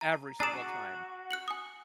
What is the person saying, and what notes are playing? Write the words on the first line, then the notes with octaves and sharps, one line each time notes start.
every single time.
A#5
D4 G#4 D5 A#5 E6 E7
F#4
F#6 C#7 F#7
G#5 D#6